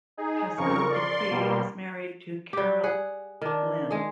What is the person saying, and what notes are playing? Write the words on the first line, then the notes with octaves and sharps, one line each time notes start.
Pascal Dupuis is married to Carole-Lyne.
D#4 G#4
F2 C#3 A#4 C#6
D5 C6
B2 G3 A#3
G3 G4
G#4 F#5
D#3 D4
G#3 G#4